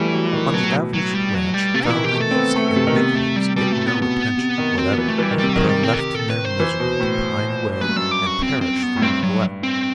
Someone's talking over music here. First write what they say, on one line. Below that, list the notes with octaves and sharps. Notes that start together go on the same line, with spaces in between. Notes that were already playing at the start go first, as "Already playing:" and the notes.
On the average ranch foundlings and weaklings get no attention whatever, but are left in their misery to pine away and perish from neglect.
Already playing: E3 G3 A3 B3
F#3
D#3
B2 F#3
A2
B2
F#3
G3
F#3
G3
C3 A3
E3 D#4
D#3 E4
G4
A3
A4
C4
B3
A3
C3
D#3
C3 B3
A3
G3
B2 G3
A2 A3
B3
B2
B3
C3
D#3
F#3 C4
E3 B3
A3
E3 G3
D#3
C3 G3
D#3 F#3
G3
C4
A4
G4
A4
B4
C5
E3
B2
A2
F#2 B4
G2
F#2 A4
G4
F#4
C4
C4
B3
A2
G2 C4
F#3
C4